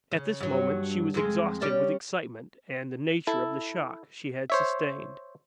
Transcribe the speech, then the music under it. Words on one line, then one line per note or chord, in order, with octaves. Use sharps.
At this moment she was exhausted with excitement, and the nature of the shock she had sustained.
C#3
G2 F#3
F2 G#3
G3 C#4 D5
E4 A4
C5 C#5 E5